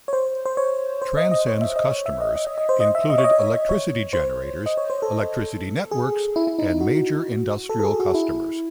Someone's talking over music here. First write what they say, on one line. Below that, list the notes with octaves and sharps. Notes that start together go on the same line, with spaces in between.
Transend's customers included electricity generators, electricity networks and major industrial customers.
C#5
C5
C5
C#5
C5
D#5
D#5
C#5
E5
D#5
C#5
E5
D#5
D#5
D#5
D#5
C5
D#5
E5
D#5
C#5
D#5
C#5
D#5
C#5
C5
D#5
C#5
C5
A4
G#4
E4
E4
D#4
E4
F#4
A4
A4
G#4
F#4
E4